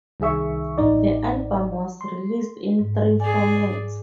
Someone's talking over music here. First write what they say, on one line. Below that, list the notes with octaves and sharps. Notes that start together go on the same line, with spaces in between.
The album was released in three formats.
C2 D#3 G#4 E5 C#6
A1 D#4 D5
C6
G#2
G#4 D5 G#5